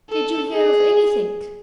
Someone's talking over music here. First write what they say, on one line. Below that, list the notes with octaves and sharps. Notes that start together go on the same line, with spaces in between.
"Did you hear of anythink?"
A4
G#4